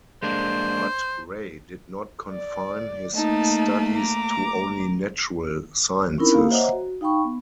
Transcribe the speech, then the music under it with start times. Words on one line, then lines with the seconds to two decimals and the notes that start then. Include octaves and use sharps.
But Ray did not confine his studies to only natural sciences.
0.23 G#3 A#3 D4 C5
2.31 D5
3.15 A3 A#3 D#4 A5
3.94 A#5 D6
6.18 C4 C#4 D#4 E4 A#4 B5
6.33 A#3 G4 F5
6.51 C5 C#5 D#5 E5 F#5 A#5
6.73 F#4
7.01 D#4 F5 G5 B5 C#6
7.25 B3